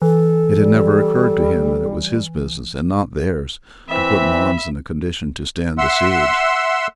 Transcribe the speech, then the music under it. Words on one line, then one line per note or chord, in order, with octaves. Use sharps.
It had never occurred to him that it was his business, and not theirs, to put Mons in a condition to stand a siege.
E3 A4
G3
E3 C4 E5 B5
E5 F#5 C6 E6